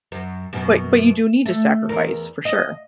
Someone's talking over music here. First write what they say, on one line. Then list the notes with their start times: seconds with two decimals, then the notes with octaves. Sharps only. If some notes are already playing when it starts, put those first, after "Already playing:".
but but you do need to sacrifice, for sure.
0.12 F#2
0.53 F#2 B2
1.46 A3
1.89 E2 A#4
2.45 D#5